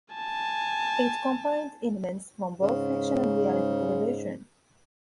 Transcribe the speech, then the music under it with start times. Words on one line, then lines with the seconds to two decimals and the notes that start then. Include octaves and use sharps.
It combined elements from both fiction and reality television.
0.15 G#5 A5
2.62 G#2 C#3